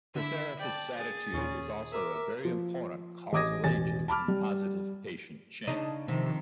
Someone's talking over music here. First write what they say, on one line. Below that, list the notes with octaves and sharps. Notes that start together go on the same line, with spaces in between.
The therapist's attitude is also a very important causal agent in positive patient change.
D3 E4 E5
D5 G5 A5
G#4 A6
D#2 A#2 C#4
A#4 E5 D6
F3
A1 D#5 D6 D#6 G#6 A#6
E1 A1 G#5 A6
A5 B5 D6 F6
G3
C#3 D4 D#4
C3 D#3 F3